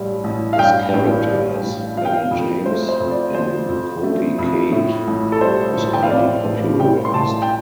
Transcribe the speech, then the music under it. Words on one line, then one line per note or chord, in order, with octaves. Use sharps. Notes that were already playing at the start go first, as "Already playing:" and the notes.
His character as "Ali James" in "Kopi Kade" was highly popularized.
Already playing: A1 G2 G3
A1
F5
G2 G5
A1
G3
A1
F3 F5
G5
F5
F2
A3 C5
C5
F2
D5
F3 C5
F2
A3
F2
A2
A1
A4
G3 C5
A1
G5
F5
A2 D5
A1
G3 G5
C6
A1 A5
G5